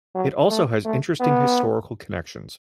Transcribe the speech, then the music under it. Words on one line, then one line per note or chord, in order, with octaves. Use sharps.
It also has interesting historical connections.
F#3
A3
A3
B3